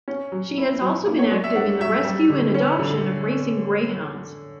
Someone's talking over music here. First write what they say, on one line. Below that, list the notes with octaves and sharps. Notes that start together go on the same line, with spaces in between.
She has also been active in the rescue and adoption of racing greyhounds.
C#4
F#3
E4
F#3
A#3
C#5
F#3 D5
E5
D4 F#5
F#3 E5
G3
D3
C#4
D3